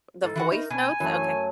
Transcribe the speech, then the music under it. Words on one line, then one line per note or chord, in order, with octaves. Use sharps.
the voice notes? Okay.
G#2 A4
E3 F#4 F#5
D#4 A#4
B2 G#5
F#2 E3 A3